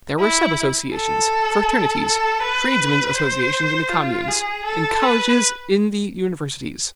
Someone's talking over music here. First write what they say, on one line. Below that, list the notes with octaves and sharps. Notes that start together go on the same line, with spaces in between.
There were sub-associations, fraternities, tradesmen's associations in the communes, and colleges in the universities.
E4
A4
A4
B4
C5
F4
G#4
A4
B4